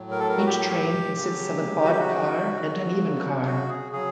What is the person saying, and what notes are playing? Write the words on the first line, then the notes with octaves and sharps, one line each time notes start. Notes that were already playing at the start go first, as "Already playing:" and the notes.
Each train consists of an odd car and an even car.
Already playing: A2 F#3
A#4
A4
A#4
F#4
G4
C#3 F#3
F#4
G4
F#4
C#3 F#3
F#4
G#4
C#3 F#3 G#4